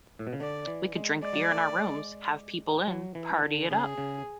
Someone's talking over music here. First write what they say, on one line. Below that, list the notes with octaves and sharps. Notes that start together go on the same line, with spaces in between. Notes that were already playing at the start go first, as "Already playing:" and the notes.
We could drink beer in our rooms, have people in, party it up.
A2
B2
C#3
D3 D5
E3
G#3
G#3 D5
F#3
G#3
A3
G#3
F#3
E3
D3
C#3 G#4
C#3